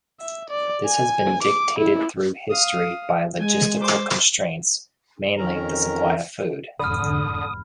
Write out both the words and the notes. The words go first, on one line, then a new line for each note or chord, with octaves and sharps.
This has been dictated through history by logistical constraints, mainly the supply of food.
E5
D5
G#5
D6
E4
F5 D#6
G#3 G#5
C5 D6
F2 D#3 C#4 A#4 A#5
F1 E2 G#2 D3 B5 D#6 F6